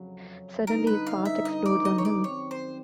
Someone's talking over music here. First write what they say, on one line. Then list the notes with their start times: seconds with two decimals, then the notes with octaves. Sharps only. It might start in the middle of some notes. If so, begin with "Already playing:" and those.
Suddenly his past explodes on him.
Already playing: F2 C#3 F#3
0.66 D3 G3 B3 D#4 A#4
0.87 B4
1.07 F5
1.25 E5
1.45 D#5
1.66 D5
1.85 D#5
1.98 C#5
2.05 D5
2.24 F#2 D#3 G3 C4 C#5
2.51 C5